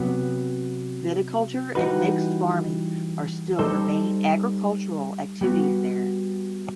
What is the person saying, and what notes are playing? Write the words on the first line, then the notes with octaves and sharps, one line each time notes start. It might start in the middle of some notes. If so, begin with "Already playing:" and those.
Viticulture and mixed farming are still the main agricultural activities there.
Already playing: C3 F#3 B3
E3 G3 D#4 F#4 B4
G3 D#4 A4 C5
G3 B3 F#4